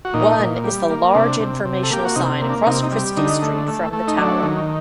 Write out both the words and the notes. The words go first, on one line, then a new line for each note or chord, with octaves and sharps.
One is the large informational sign across Christie Street from the tower.
F#4
A#2 D#4
A#2
G3
A#3
C3 D4
C3
C3
A4
A#3 G4
F#4
C3 D#4
A#3
D4
C3 D#4
D#4
G3
D3 D#4
A3
A3
A3
D#4
F#3 D4
D#3